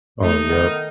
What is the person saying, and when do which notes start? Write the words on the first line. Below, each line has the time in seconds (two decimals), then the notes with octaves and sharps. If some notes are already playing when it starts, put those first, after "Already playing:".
Oh, yep.
0.23 A3 D#4
0.49 D#3 B3
0.63 A#4